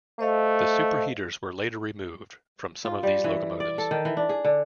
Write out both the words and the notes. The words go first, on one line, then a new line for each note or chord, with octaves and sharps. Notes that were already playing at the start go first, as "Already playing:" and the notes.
The superheaters were later removed from some of these locomotives.
A3 C5 D#5 F5
F4
G3
E3
D5
A4
D#3
E3
D4
G#4
D3